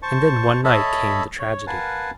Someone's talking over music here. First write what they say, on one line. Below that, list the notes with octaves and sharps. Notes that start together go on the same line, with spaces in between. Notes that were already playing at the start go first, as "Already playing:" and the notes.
And then one night came the tragedy.
C5 A5 C#6
A4 C#5 D#5 E5 A5 B5
C#5
A#4 B4 F5 F#5 G#5 A5